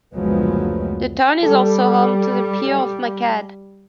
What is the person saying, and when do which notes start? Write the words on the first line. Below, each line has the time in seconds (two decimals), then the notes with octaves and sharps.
The town is also home to the Pir of Makhad.
0.14 F#1 D2 F3 F#3 G#3 B3
1.43 G3 A4